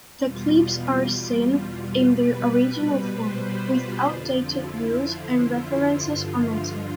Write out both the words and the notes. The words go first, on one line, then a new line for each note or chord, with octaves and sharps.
The clips are seen in their original form, with outdated rules and references omitted.
E2 B2 G3 F4
B2 G3 B4
C5
F4
F2 D3 F3 F4
E4
F4
G2 D3 F3
F4